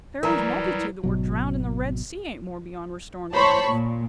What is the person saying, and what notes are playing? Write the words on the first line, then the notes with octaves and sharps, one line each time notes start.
Pharaoh's multitude that were drowned in the Red Sea, ain't more beyond restoring to life.
E3 F#3 G3 A#4 D5 A#5
G#1 B2 F#3
C5 C#5 A5 B5 C#6
A#2